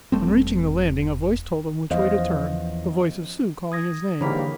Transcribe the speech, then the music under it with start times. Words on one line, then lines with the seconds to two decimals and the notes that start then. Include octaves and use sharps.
On reaching the landing a voice told him which way to turn--the voice of Sue calling his name.
0.12 E1 G3 A3 C4
1.91 E2 F3 C#4 F4 C5 D#5 F5
3.72 D#6 G#6 A#6
4.21 G#2 D3 E3 G3 A#3 C#5 B5 B6